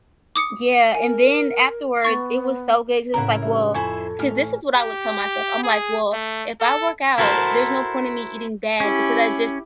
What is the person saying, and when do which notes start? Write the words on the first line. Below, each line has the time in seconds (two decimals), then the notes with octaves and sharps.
Yeah, and then afterwards, it was so good, 'cause it was like, "Well," 'cause this is what I would tell myself. I'm like, "Well, if I work out, there's no point in me eating bad, because I just,
0.36 D6 D#6 C#7
0.95 A#4 G#5
2.05 B3 C#6 A6
3.14 A2 C#3 C#4 E4 A#4 F#5 A#5
3.42 G2 E5
3.74 F2 E4 A4 C5 G#5 C#6 G#6
4.19 A1 C#4 F6
4.76 G4
5.63 G#4
6.13 A3
6.60 A4
7.18 E4 F#4 A4 A#4 C5
8.80 C#4 E4 G4